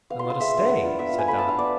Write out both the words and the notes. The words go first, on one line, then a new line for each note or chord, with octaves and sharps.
"Then let us stay," said Dot.
B3 F5
F4 C6
C6
G#3 E5
B3 D4
B3
D4 F4
B3 E5
F5
F4
G#5
A3 B5
A5
D4 F4 F5
B3 D5